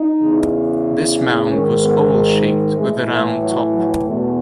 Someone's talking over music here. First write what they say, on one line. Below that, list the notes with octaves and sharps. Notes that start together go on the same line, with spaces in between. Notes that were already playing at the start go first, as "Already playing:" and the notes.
This mound was oval shaped with a round top.
Already playing: D#4
E2 C#3 E3
G#2 D#3 C#4
B3
G#3
A2 E3 G#3
A3
F#3
F#3
E2 B2 A3